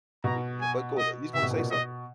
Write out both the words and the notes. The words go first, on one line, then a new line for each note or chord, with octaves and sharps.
We you know but go ahead, you was gonna say something?
B2 A#5
G#5
D#5
C3 E5
B2
A#2
B2
D#5